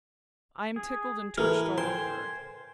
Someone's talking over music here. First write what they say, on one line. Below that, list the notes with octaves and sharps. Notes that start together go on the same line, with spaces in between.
I am tickled and twitched all over.
G#4
E3 A4 A#4 F6
C5 G5 G#5 C6